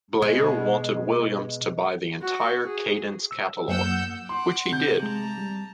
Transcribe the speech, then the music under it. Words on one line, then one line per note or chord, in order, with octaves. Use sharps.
Bleyer wanted Williams to buy the entire Cadence catalogue, which he did.
B2 G#3
F#4
G#4
E6
F#2 F#3 A#3 F#5 E6 G6
F#5 C6 D6
C3 G6
G#3 A5 A#5
G3